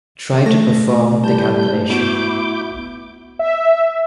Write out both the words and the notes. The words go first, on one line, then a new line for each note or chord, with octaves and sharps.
Try to perform the calculation.
A3 A#6
G3 E4 A5 G6
B3 E4 F#4 D6 G6
E5